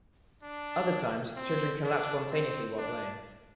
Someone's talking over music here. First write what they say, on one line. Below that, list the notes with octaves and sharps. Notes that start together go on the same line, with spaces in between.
Other times, children collapse spontaneously while playing.
D4
C4
D4
C4
D4